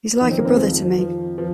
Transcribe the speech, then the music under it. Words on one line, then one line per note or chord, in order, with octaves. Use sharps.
He's like a brother to me.
F2 D#3 D#4
C4
A#3
C4
G#3
F3
F3
F3